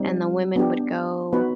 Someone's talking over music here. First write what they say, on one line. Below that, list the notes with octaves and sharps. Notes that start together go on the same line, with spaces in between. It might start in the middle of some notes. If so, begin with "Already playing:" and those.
and the women would go,
Already playing: G3 C4 D#4 G4
B3 D4 G4
B3 D#4 F#4 B4